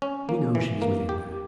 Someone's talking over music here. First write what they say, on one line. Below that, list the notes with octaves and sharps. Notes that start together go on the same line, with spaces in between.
We know she is within there.
C#4
A#3
E3
A#3
G4